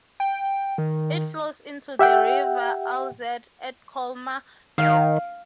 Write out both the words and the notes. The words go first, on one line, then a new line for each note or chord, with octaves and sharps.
It flows into the river Alzette at Colmar-Berg.
G5
D#3
G4 E5 F#5 G5
D#3 F5